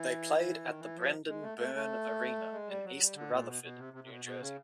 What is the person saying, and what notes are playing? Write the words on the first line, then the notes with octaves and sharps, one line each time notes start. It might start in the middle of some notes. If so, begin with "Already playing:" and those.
They played at the Brendan Byrne Arena in East Rutherford, New Jersey.
Already playing: E3
D#3
E3
F3
G#3
A3
A3
A3
G#3
G3
F#3
G3
D3
A#2
B2
B2
C3
C3
C3
B2
B2
C#3